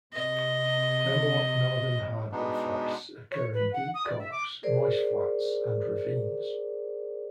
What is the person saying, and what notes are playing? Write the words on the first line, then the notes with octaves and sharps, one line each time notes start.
Hemlock-northern hardwood forests occur in deep coves, moist flats, and ravines.
C3 D#5
B2 G#3 B3 D4 D#4
C#5
B4
F#5
D#6
D5
E5
D6
G#4 A#4 C5 D5